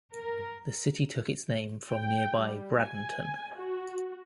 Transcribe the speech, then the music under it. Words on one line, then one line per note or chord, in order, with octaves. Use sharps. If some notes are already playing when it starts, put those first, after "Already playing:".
The city took its name from nearby Bradenton.
A#4
G5
G3
G#5
F#4